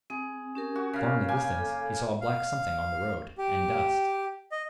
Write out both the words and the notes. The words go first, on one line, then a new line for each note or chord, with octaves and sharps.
Far in the distance he saw a black something on the road, and dust.
C4 G#4
C#4 G4 A#4
F#4
C#3 F5
A#3 G5 G#5
A4
F5
G4
D#5